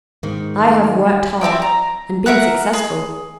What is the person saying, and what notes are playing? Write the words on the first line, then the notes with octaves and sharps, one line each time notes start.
I have worked hard and been successful.
G#2 D#3
C4 D5 E5 G5
A#5
A#4 E5 F#5 F#6
G#4